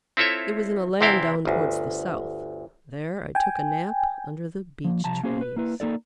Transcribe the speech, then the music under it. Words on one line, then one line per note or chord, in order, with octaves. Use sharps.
It was in a land down towards the south--there I took a nap under the Beech Trees.
C4 E4 F4 A4 C#5 E5
E2 C3 C4 E4 F5 G5
G1 D2
G5 G#5
F3 A#3
C2 F3 A5 A#5
A#3 C#4 F#4 G#4 C5
B4
A#3 E4 B4
A#3 D#4 A4 D5